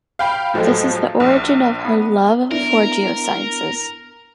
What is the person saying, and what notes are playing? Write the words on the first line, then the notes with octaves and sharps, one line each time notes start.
This is the origin of her love for geosciences.
F5 G5 B5
A2 F3 F#3 G#3 A3
A#1
B3
B3 D4 E4 A#4